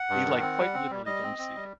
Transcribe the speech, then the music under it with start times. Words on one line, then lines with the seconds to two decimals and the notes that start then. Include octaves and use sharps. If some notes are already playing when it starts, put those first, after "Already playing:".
they like quite literally don't see it.
Already playing: F#5
0.10 G2
0.25 D#3
0.42 C4
0.58 G3
0.74 C4
0.91 G3
1.06 G3 D#5
1.23 C4
1.38 C4
1.55 G3